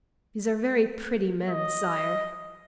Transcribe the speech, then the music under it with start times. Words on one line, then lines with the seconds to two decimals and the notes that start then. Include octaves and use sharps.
These are very pretty men, Sire.
1.48 D#5